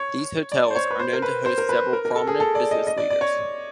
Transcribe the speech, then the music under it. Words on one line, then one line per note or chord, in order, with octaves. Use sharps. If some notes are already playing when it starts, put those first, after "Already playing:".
These hotels are also known to host several prominent business leaders.
Already playing: C#5
D5
C5
C#5
B4
C5
A#4
B4
C5
A#4
B4
A#4
A#4
A4
G#4
A4
D5
D#5
D#5
D5
D5
C#5